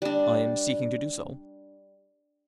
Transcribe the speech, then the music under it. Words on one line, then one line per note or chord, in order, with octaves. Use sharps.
"I am seeking to do so."
G3 D4